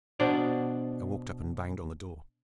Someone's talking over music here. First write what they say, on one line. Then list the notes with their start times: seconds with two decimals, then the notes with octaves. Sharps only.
I walked up and banged on the door.
0.20 B2 D4 C5 D5